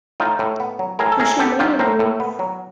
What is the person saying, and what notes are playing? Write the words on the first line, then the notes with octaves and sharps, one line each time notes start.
I should make a move.
A2 D#4 F4
A2
B3
F#3
A2 G#4 A#4
A4
A2 G#4 A#4
B3 G4 A4
F#3 F4 G4
A2 A#4 C5
A2
B3
F#3